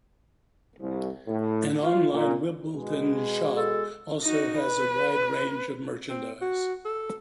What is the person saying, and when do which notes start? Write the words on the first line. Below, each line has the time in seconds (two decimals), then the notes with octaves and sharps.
An online Wimbledon shop also has a wide range of merchandise.
0.80 C2
1.28 A2
1.82 F4
2.13 A#2
2.76 B2 G#3
3.57 A4
4.24 D#4 F#4
4.59 B4
6.10 C4
6.42 F#4
6.85 A4